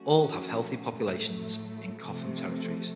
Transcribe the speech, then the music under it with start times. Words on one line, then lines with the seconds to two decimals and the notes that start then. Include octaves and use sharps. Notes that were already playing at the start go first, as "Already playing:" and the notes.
All have healthy populations in Cofan territories.
Already playing: F3 A3 C#4 F#4
0.95 A2 F#3 A3
2.04 C3 F3 A3